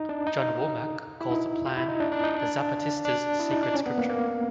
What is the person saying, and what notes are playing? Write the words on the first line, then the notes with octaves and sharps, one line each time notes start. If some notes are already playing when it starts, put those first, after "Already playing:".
John Womack calls the Plan the Zapatistas' "Sacred Scripture".
Already playing: D#4
D4
D#4
E4
D#4
F4
E4
D#4
D4
D4
D#4
D4
D4
E4
D#4
D4
C#4
B3
A#3
A#3